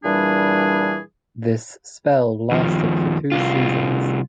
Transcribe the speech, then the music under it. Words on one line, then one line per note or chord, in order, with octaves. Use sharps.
This spell lasted for two seasons.
A#2 E3 G3 D4 G#4
D#2 F3
C2 F4